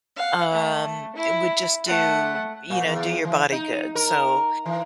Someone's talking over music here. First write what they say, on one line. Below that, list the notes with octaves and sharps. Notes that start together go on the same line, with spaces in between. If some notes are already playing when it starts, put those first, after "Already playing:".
um, it would just do you know, do your body good, so
F5 F#5
A3
E4
A3 F#5
A#2
E2
E3
D#4
A#4
E3